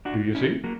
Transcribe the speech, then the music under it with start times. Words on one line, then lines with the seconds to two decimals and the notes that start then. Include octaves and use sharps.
"Do you see?"
0.05 D4 F#4
0.35 C#4 E4
0.64 F#3 A#3